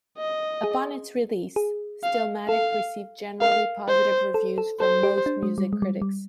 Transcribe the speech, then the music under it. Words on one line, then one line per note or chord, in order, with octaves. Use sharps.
Upon its release, "Stillmatic" received generally positive reviews from most music critics.
D#5
G#4
G#4
F5
A4 F5
A#4 F5
C5
A4
A4
A4 C5
G4
D4
G#3
G3
G#3
G3
G3